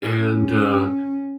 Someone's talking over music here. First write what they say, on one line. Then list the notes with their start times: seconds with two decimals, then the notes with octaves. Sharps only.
and, uh
0.19 C#4